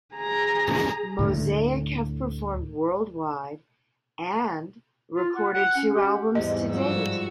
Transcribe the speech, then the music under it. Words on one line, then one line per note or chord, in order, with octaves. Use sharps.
Mozaik have performed worldwide and recorded two albums to date.
G#4 A#5
D2 A2 D3 A3
F4
F#5
F#5
C#4
G4
E2 G#2 G3 D#5
G2 F3 F#4 E6